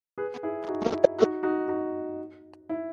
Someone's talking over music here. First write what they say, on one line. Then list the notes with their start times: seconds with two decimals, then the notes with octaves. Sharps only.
Since the Middle Ages, many values have been specified in several countries.
0.18 G#4 B4
0.43 E4 G#4
0.68 D#4 F#4
0.93 E4
1.18 D#4 F#4
1.43 D#4 F#4
1.68 D#4 F#4
2.69 E4